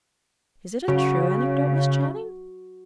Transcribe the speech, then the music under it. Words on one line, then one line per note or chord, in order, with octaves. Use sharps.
"Is it a true anecdote, Miss Channing?"
C#3 F#4